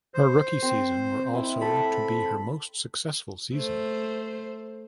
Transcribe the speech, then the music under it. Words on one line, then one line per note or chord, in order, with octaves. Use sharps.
Her rookie season were also to be her most successful season.
C5
C4
E4 D#6
A4 B5
A3 C5